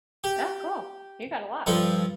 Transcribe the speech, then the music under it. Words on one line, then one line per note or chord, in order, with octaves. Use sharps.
Oh, cool. You got a lot.
G4
G2 F3 D4 A4